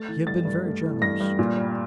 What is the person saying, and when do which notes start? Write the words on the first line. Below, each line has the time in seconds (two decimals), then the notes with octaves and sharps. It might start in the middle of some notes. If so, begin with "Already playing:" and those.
He had been very generous.
Already playing: A3 A6
0.08 E3
0.27 G2 A6
0.45 G2
0.65 A3
0.83 E3
1.01 G2 A#6
1.20 G2
1.39 A#2
1.57 G3